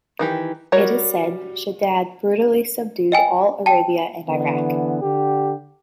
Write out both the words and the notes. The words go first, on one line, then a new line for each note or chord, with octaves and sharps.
It is said Shaddad brutally subdued all Arabia and Iraq.
D#3 E3 G4
G3 F#4 A#4 C#5
D#5 G5 G#5
G5 A5
D3 E3 B3
D3 G4